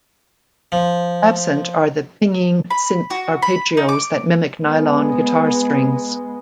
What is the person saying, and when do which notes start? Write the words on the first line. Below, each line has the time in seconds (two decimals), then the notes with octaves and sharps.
Absent are the pinging synth arpeggios that mimic nylon guitar strings.
0.72 F3
2.70 B5
3.10 F#4
3.42 B5
3.77 D#4
3.89 D6
4.61 G#3 B3